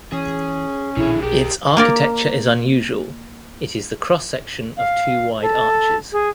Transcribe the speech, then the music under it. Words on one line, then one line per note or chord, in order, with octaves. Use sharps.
Its architecture is unusual, it is the cross section of two wide arches.
E3 C#4 G#4
A#1 B2 D3 D#3 E4 G#4
B1 G4 G#4 A#4
A#3 A#4 D5
F5
A4
G#4